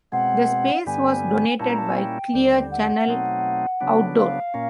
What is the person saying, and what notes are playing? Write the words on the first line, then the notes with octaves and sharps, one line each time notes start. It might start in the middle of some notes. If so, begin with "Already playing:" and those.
The space was donated by Clear Chanel Outdoor.
B2 G#3 C4 F#5
G2 D3 G3 B3 G#5
A#2 G3 A#3 C#4 E4 A5
A#5
A5
G#5
G5
D#2 D3 G3
F#5
B2 F#3 A3 C4 D#4
C#3 F#3 B3 D4
F5
A#2 A#3 C#4